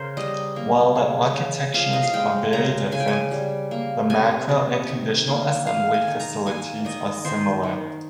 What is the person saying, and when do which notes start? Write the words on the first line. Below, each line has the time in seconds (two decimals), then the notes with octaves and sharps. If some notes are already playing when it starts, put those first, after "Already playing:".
While the architectures are very different, the macro and conditional assembly facilities are similar.
Already playing: C#3 A#4 C5
0.17 G3 D#5
0.56 A#3
0.95 C#3
1.34 C#3
1.74 F3 F5
1.93 D#5
2.03 F5
2.13 G#3 G5
2.53 C#3 A#5
2.92 C#3 G#5
3.00 G5
3.08 G#5
3.31 G3
3.71 A#3
4.10 C3 G#5
4.49 C3
4.89 D#3
5.28 A#3
5.67 A#3 F5
5.94 G#5
6.07 D#3
6.20 A#5
6.46 A#3 G#5
6.85 D#3 D#5
7.25 D#3 C5
7.63 D#3